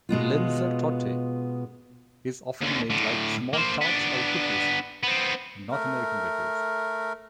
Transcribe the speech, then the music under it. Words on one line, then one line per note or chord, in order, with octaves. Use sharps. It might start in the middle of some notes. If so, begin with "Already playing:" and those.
Linzer Torte is often made like small tarts or cookies in North American bakeries.
B2 G#3 B3 F4
D#2 D3
A2 D3
A#3 C5
B3 D4
B3 C4
A3 A#4